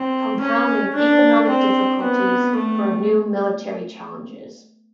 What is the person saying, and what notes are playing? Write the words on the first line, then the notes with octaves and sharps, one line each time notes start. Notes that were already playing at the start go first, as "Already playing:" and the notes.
Compounding economic difficulties were new military challenges.
Already playing: C4
C#4
D4
C4
B3
A3